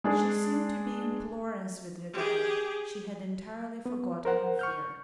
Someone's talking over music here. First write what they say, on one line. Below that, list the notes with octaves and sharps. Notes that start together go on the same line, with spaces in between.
She seemed to be imploring Svidrigailov; she had entirely forgotten her fear.
G#3 D4 G#4
G4 G#4
B3
A#4 C5 F#5
C#6 F6 G6